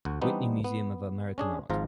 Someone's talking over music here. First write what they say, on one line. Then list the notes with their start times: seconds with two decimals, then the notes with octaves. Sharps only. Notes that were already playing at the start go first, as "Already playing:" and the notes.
Whitney Museum of American Art.
0.05 D2 F#4
0.22 E3 G3 B3 C4 D4 D#4
0.64 B3
1.38 C#4 D4 G#4
1.70 G#1 G#2 F3 F4 A#5